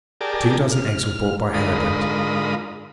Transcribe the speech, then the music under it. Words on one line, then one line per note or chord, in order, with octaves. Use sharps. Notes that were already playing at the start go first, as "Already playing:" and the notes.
Two dozen eggs were brought by Herbert.
G4 G#4 A#4 D5 A5
F6
G#2 D3 F4 A#4 B5 D#6